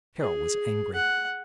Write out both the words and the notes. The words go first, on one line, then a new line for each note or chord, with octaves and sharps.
Carol was angry.
G#4
F#5